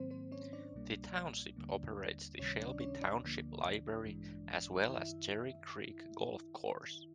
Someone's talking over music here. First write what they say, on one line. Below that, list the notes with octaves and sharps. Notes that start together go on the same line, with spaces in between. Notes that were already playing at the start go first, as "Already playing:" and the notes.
The Township operates the Shelby Township Library as well as Cherry Creek Golf Course.
Already playing: G#2 D#3 F#3 A#3 C4 C5
C4 C5
C#4 C#5
D4 D5
C2 B2 G3 A#3
D#2 D3 G3 A#3
C#2 C3 D#3 G3 C#4 C#5
D4 D5
C#4 C#5
D4 D5
D2 D3 F3 A#3
A1 G2 E3 G#3
F#2 D#3 E4 E5